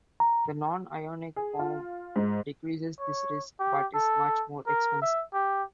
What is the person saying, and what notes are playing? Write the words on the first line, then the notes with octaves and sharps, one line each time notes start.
The non-ionic form decreases this risk, but is much more expensive.
A#5
G#4
F4
G#2
C#5
G4
A4
A#4
E5
G4